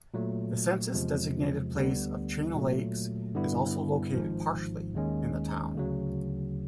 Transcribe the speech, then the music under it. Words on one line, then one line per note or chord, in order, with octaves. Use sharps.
The census-designated place of Chain O' Lakes is also located partially in the town.
A#2 F#3 A3
E2 C3 F3 G#3
D2 D3 G3 B3
A#2 F#3 A3
G2 D3 G3 B3 E4
G#1 G#2 F3
D#2 D#3 G#3 C#4
D2 C#3 F#3